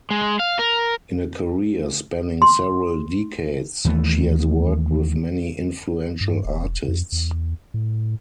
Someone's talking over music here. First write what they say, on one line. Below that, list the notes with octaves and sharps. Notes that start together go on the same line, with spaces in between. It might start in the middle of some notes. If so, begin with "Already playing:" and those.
In a career spanning several decades, she has worked with many influential artists.
G#3
F5
A#4
C6
D#2 E3 A3
G2
E1
F2
E2
A2